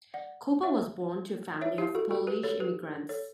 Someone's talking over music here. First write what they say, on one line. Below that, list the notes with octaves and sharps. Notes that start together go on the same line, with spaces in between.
Kopa was born to a family of Polish immigrants.
D5 F#5
C#5 E5
C#5 E5
E4 G4
F#4 A4
F#4 A4
G4 B4
A4 C#5
G4 B4
A4 C#5